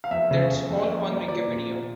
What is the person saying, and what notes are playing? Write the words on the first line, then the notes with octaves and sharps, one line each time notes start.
That’s all on Wikipedia.
F5
F2 E5
C#3
F2
F2
A#3
A#3
F3 D5
A#2
A#2